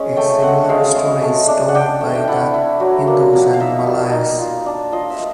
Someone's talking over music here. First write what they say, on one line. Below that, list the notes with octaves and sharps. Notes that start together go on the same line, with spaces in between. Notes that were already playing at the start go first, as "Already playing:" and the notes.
A similar story is told by the Hindus and Malays.
Already playing: G#3 C#4
A3 G5
C4 F#5
G#3 F5
G#3
A3
D4
F#5
D4 G5
A3
G5
E4 F#5
E4
F#3
A#3
F3 F#5
F5
D#4 E5
G3
D#4
F4
D4
F4 D#5
E5